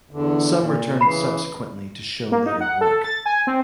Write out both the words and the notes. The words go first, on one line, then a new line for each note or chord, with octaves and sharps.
Some returned subsequently to show later work.
E2 D3
A#2
C#3 E3 B5 C7
A#3
D#4
F#5
A4
A6
G#5
C4